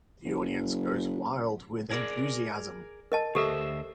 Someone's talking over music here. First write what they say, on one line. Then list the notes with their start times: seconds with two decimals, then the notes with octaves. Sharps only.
The audience goes wild with enthusiasm.
0.25 F#1
1.91 G#4 A#4 D5
3.12 A#4 D#5 A5
3.35 D2 G4 A4 C5 E5